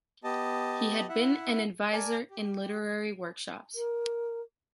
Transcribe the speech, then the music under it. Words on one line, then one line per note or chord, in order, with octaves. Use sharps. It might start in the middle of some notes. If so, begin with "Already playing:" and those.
He has been advisor in literary workshops.
B3 G4 D#5 A5
E4 E5 F#5
A#4 D5 G#5 A5
G4
A#4